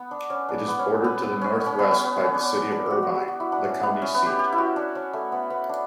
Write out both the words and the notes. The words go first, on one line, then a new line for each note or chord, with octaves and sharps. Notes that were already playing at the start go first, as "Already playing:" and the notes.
It is bordered to the northwest by the city of Irvine, the county seat.
Already playing: B3
D4
C#4
D4
B3
C#4
B3
B3
C#4
C#4
B3
B3
B3
C#4
D4
C#4
D4
F#4 G4
F#4
G4
F#4
E4
D4
C#4
B3
C#4
B3
G4
G4
E4
F#4
D4
C#4
A3
B3
B3
D4